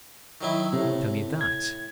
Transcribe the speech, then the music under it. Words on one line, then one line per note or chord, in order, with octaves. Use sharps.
Tell me that.
D#3 F#3 E4
A2 C3
G#6